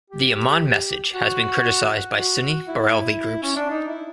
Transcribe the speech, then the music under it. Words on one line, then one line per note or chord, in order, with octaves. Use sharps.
The Amman Message has been criticized by Sunni Barelvi groups.
G4
F#4
F#4
E4
C#4
D4
D#4
E4